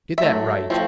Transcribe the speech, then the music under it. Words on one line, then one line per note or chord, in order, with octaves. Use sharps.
Get that right.
E5
F#3 A3
F3 A3 C4